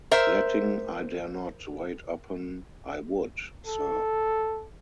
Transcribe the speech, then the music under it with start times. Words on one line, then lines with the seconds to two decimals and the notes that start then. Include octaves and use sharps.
Letting 'I dare not' wait upon 'I would', sir.
0.11 A#4 C5 E5
3.67 A4